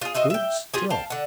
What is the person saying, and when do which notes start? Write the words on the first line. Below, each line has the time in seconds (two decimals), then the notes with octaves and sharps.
Good, still.
0.01 F4 G#4
0.14 F#4 C5 D#5 E5
0.30 E5 G5
0.74 F4 G4 G#4
0.90 F5 G5 A5
1.10 D3 F#5